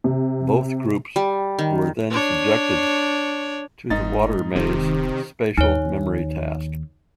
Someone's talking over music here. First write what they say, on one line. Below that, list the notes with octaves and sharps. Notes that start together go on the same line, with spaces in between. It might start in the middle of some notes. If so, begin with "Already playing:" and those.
Both groups were then subjected to the water maze spatial memory task.
C3
G3
D#3
D4 C#5
G1 G#2 D#4 A6
E1 C3 D#3
D#2 D#4 C#5